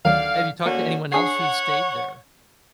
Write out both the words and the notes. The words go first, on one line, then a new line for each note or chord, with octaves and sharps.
Have you talked to anyone else who's stayed there?
D2 D3 D#3 F#3 D5 F5
D3 A#3 C#4 F#4
D4 G#4 C#5 F#5 C7